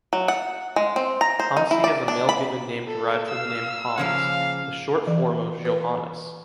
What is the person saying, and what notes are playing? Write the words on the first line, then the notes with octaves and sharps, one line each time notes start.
Hansi is a male given name derived from the name Hans, the short form of Johannes.
F#3
F#5
G#3
C4
A#5
C5
D#4
E4
D5
D4
B5
A4
F5 E6
C#3 F3 A#3 F5
E3
B4